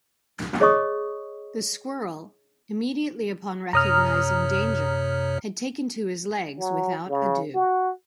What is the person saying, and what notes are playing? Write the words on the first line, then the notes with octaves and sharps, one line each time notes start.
The squirrel, immediately upon recognizing danger, had taken to his legs without ado.
G#4 C#5 D#5 C#6 D#6
F#2 C3 C#5 A#5 D#6 F6
F#3
C#3
F#4